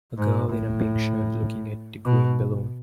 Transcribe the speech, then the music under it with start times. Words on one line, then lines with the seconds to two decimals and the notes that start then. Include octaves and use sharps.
A girl in a pink shirt looking at a green balloon.
0.18 G#2
0.49 A2
2.05 B2